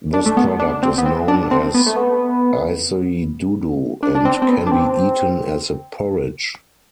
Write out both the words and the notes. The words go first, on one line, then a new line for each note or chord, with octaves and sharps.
This product is known as isidudu and can be eaten as a porridge.
D4
A3
B3
D4
C4
B3
C4
D4
C4
B3
A3
B3
D4
D4
C4
C4
B3
D4
C4